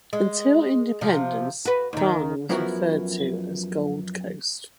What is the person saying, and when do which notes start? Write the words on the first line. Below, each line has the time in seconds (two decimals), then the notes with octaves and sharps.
Until independence, Ghana was referred to as Gold Coast.
0.13 G#3
1.01 C3 F3
1.65 F#4 B4
1.93 D#2 D#3
2.49 F#2 F3 B3 E4 F#4 A#4